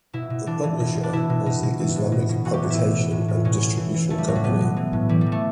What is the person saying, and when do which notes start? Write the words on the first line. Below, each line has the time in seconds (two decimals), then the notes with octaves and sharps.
The publisher was the Islamic Publication and Distribution Company.
0.13 B2 E4
0.30 B2
0.46 E3 D4
0.63 E3
0.80 B2
0.96 B2
1.03 D4
1.13 B2 E4
1.30 B2
1.46 B2
1.63 B2
1.80 E3
1.96 A2
2.12 B2
2.29 B2
2.45 E3 F#4
2.53 G4
2.62 A2
2.70 E4
2.79 B2
2.95 B2
3.11 A2
3.28 A2
3.45 B2 C#4
3.61 B2
3.78 E3
3.94 E3
4.10 E3 A3
4.18 G3
4.27 A2 F#3
4.36 G3
4.44 B2 B3
4.61 B2
4.76 E3
4.93 A2
5.09 E3 G3
5.21 G3
5.26 E3
5.32 A3